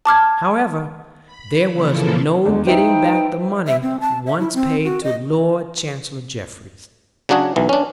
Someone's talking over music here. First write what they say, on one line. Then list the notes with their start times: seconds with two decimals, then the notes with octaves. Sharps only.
However, there was no getting back the money once paid to Lord Chancellor Jeffreys.
0.05 A5 D6 F6 G#6
1.26 B5
1.72 C#3 E3 F3 A#3 E4 A4
2.45 E2 D3 G#3
2.67 D#4 E4 B4 C5 G5
3.67 E5
3.82 C4
4.00 A5
4.26 E5
4.39 E4
4.54 C4
4.84 F#4
5.03 D#5
7.29 C#3 F#3 D4 F#4 G#4
7.56 B1 E3
7.69 C#4 D4